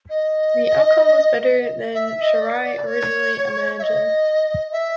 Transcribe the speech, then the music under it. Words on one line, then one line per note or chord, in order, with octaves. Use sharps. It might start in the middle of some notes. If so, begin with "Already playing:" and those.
The outcome was better than Shirai originally imagined.
D#5
E5
E5
D#5
D5
D5
C#5
E5
D#5
E5